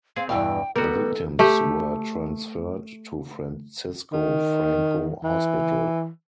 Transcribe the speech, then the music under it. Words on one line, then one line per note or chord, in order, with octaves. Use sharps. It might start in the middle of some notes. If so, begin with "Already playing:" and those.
The victims were transferred to Francisco Franco Hospital.
C4 G#4 F5
E2 G2 B2 E3 F5 G5
D#3 G3 B3 F#4 A4 A#4
A3 G4
D#3
E3